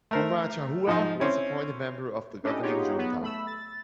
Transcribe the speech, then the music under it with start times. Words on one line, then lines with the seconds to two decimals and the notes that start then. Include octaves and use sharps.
Pumacahua was appointed member of the governing junta.
0.11 A3 A#4 C5
0.87 G#2 F3 D#4
1.20 C4 C#4 E4
2.43 C#4 D4 E4 G4 A4 D#5
2.62 B3 D#4 F4 G4 G#4 C#5
2.98 F#3 B3
3.21 A3 B5 E6
3.47 A6